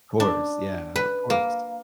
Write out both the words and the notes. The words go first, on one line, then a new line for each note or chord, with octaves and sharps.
Of course. Yeah. Of course.
D4
B4
A#3